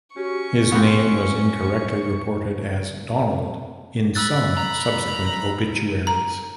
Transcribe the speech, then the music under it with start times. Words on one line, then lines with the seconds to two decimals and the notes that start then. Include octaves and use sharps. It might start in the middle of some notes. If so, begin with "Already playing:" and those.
His name was incorrectly reported as "Donald" in some subsequent obituaries.
0.16 C#4 F#4 G4 C#6
0.72 B3 C4
4.15 B5 E6 F#6 A6
4.57 A#5 B5
6.07 A#5